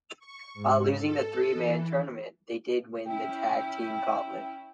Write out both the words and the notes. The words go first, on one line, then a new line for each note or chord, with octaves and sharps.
While losing the three-man tournament they did win the Tag Team gauntlet.
C#6
G#2
A4
E3
C#4 E4 G5